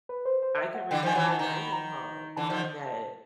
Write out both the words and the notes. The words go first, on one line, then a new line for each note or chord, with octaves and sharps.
I can remember the dining hall on that
B4
C5
C5
E5
F#5
D3 E3 G5
D#3 F3 G#5
E3 F#3
D#3 A5
D#3 A#5
B5
A#5
D3 E3 A5
D#3 F3